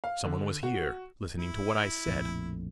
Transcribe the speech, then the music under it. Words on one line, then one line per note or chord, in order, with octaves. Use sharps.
Some one was here--listening to what I said!
F5
D3
F#4
E4
A#1 F2 A2